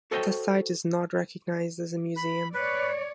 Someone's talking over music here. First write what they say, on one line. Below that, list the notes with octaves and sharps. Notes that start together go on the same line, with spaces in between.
The site is not recognized as a museum.
F#4 A4 C5 C#5 D#5 G5
B5
B4 C#5 D5